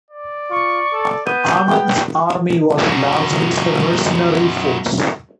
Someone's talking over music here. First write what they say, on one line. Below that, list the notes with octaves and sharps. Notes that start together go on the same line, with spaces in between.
Amin's army was largely a mercenary force.
D5
F4 C#6
A4
B3 G6 D#7
B3 G5
F#2 B2